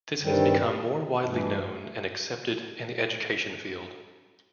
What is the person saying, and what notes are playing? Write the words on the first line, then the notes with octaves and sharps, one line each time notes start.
This has become more widely known and accepted in the education field.
G2 D#3 G3 C4
G2 E3 A3